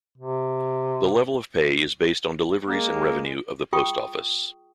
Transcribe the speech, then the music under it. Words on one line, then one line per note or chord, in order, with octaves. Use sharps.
The level of pay is based on deliveries and revenue of the post office.
C3
G#3 A#3
F4 G#4 G5 C#6 D#6